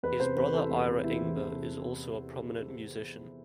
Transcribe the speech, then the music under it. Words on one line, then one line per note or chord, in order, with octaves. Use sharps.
His brother Ira Ingber is also a prominent musician.
E2 B4
C3 C5
E2 B4
E3 A4
E2
B4
C3
E2 E4
E3
E2
C3